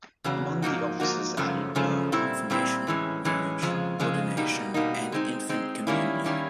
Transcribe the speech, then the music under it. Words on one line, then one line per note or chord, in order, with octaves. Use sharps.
Among the offices added were confirmation, marriage, ordination, and infant communion.
E2 C#3 F#3
G#2 F3 A#3 D#4 F#4
G#2 F3 A#3 D#4 F#4
F#2 C#3 F3 A3 C#4
F#2 C#3 F3 A3 C#4
A#2 G3 C4 E4
A#2 G3 C4 E4
A2 E3 G#3 C#4
A2 E3 G#3 C#4
F2 C#3 F3 G#3
F2 C#3 F3 G#3
B2 G3 A#3 D#4
B2 G3 A#3 D#4
G#3 C4 D#4
G#3 C4 D#4
D#3 G3 A#3 C#4 E4
D#3 G3 A#3 C#4 E4